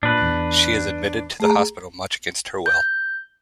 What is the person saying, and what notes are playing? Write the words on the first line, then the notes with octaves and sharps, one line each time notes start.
She is admitted to the hospital, much against her will.
A#2 D4 B4
E2
A3 G#4 A#5
G6